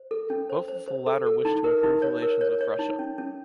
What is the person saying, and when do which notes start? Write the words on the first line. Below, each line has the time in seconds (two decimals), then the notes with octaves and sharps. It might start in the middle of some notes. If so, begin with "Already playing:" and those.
Both of the latter wish to improve relations with Russia.
Already playing: C5
0.11 A4
0.30 C#4
0.50 C5
0.68 C5
0.88 C5
1.07 A4
1.26 A4
1.45 D#4
1.64 A#4
1.83 D#4
2.02 C#5
2.22 A#4
2.41 C#5
2.61 C#5
2.79 D#4
2.99 C#4
3.18 C#4